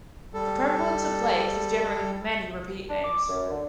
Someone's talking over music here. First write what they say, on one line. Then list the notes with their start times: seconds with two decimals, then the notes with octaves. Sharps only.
The prevalence of lakes has generated many repeat names.
0.34 G3 A4
2.89 D4
3.03 D6
3.29 F#2
3.50 D3